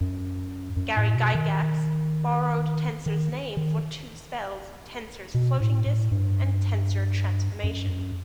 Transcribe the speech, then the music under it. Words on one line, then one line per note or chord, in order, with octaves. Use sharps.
Gary Gygax "borrowed" Tenser's name for two spells, "Tenser's floating disc" and "Tenser's transformation".
F#2
F#2
A2
B2
D#3
D#3
D#3
B2
A2
A2
G2
F#2
G2
F#2